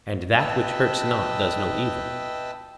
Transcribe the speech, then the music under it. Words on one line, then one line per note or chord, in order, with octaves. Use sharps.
And that which hurts not does no evil?
B4 D#5 E5 G5 A5